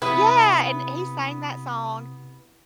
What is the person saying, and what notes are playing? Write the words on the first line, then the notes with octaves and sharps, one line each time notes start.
Yeah! And he sang that song
C3 B3 E4 B4 D#6